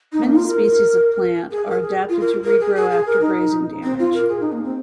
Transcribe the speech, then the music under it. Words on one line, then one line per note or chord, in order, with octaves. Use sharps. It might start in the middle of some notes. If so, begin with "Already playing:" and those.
Many species of plant are adapted to regrow after grazing damage.
D#4
A#3
F4
A#4
G#4
A#4
G#4
F4
A#4
A#4
G#4
G#4
G#4
A#4
D#4
C4
F4
A#4
G#4
D#4
A#3
C4